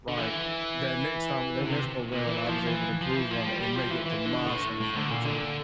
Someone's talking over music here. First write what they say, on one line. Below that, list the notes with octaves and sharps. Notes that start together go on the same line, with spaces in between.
like that next time, that next go round, I was able to improve on it and make it to my satisfaction,
D3
E3
D3
C3
A#2
E3
F3
E3
F3
E3
F3
G3
G3
F3
E3
E3
D3
A2
A2
D3
A#2
D3